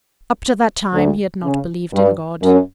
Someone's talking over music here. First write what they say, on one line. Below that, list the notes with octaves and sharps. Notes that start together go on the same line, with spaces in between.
Up to that time, he had not believed in God.
D2 D3
C#3
G2
F#2